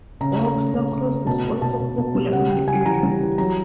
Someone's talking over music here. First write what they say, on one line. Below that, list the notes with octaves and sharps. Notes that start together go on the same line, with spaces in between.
Box lacrosse is also popular in the area.
C#3 A#5
A3
A#5
C#3
C#3
C#3
A3
B2 A5
B2
B2 A5
B2
B2
G3
C#3 F#5
C#3 G5
C#3 G#5
E3 A#5
G3
E3
F#3 A#5